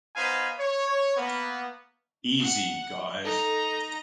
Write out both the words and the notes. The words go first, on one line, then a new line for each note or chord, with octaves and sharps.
Easy guys.
B3 D#4 B4 C5 F5 G#5
C#5
A#3 B3
F#5
D#4 A4 A#5